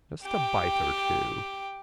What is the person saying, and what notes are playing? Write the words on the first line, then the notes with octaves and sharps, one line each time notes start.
Just a bite or two.
G4 G5